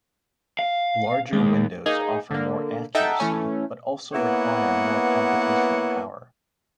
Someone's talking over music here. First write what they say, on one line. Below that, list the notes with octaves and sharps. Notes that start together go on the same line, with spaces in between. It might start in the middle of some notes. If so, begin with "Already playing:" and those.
Larger windows offer more accuracy but also require more computational power.
F5
D#2 G#3
A#3 D#4 G#4
D3 A#3
D#4 A4 E5 F#5 G5
E3 A3 C#4
A#3 B3 E4 B4 C#5 F#5